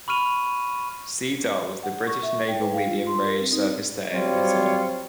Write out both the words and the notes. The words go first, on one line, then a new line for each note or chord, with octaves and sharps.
Sea Dart was the British naval medium-range surface-to-air missile.
B5 C#6 F6 D#7 F7
F#5
C#6
E5
G5
B4
F5
F4
C6
A#4
C4
D#4
F#3 G3 C4 F4 C#5